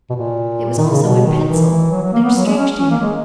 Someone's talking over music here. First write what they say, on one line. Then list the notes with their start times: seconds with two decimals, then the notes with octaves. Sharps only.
It was also in pencil, and strange to him.
0.10 B2
0.15 A#2
0.78 D#3
0.90 C#3
1.03 B2
1.25 D#3
1.48 E3
1.91 F#3
2.03 F#3
2.13 A#3
2.24 B3
2.36 F#3
2.46 G#3
2.57 C#4
2.79 C#4
2.90 A#3
3.01 G#3